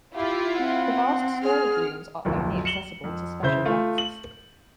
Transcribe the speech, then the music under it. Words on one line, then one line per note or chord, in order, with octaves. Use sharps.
The vast storage rooms are only accessible to special guests.
E4 F4 G4
C4 F#5
G#4 F6
D1 B1 F2
C#7 E7 F#7 G7
F2
C#3 E4 C5 E5 G6
A3 F4
F#7